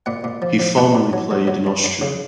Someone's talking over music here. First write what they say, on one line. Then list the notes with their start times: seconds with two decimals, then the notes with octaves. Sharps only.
He formerly played in Austria.
0.06 A#2 F#5
0.24 A#2
0.42 F3
0.59 F3
0.77 A#2 F#5
0.95 A#2
1.13 F#3
1.31 F#3
1.48 F#3
1.67 F#2
1.84 F#2
2.02 C#3